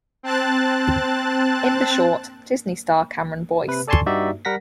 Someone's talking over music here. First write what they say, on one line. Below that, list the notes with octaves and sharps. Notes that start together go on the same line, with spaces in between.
In the short, Disney star Cameron Boyce.
C4 A5 F#6 A6
C3 B4
A4 D5 G#5 A5 C6 C#6
G2 D#4 F#4 G4 D5 E5
G3 A#4 F#5 A#6 B6